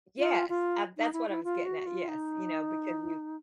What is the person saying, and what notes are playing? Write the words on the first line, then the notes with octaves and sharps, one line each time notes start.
Yes. A that's what I was getting at yes, you know, because you
F4
F4
D#4
E4
E4
F4
F#4
F4
D#4